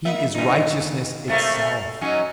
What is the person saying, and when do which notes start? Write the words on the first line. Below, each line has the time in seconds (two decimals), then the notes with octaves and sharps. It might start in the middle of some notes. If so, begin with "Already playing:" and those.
He is righteousness itself.
0.05 A#3 E5
0.34 G2 D#4
0.62 D#2
1.28 C3 A3 A#3
2.01 F#3 C#4 D#4